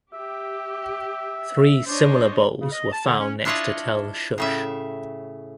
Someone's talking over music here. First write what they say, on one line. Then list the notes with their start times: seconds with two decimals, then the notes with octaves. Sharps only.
Three similar bowls were found next to Tel Shush.
0.13 G4 E5
1.86 D4 C5 C#5 D#5
2.60 C#3
2.72 D#5
2.92 A5
3.05 D3
3.20 C#4
3.45 D4 E4 F4 C#5 D#5 A5
4.38 A2 C#3 E5